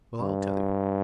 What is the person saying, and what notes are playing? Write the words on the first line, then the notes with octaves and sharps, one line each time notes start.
Well, I'll tell you.
G2